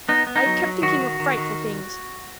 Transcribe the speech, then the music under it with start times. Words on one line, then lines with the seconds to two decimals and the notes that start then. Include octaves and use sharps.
I kept thinking of frightful things.
0.09 B3 D#4
0.27 B3
0.36 D#4
0.46 F#3
0.63 F#3
0.82 D#3 F#4
1.00 D#3
1.20 D#3
1.37 D#3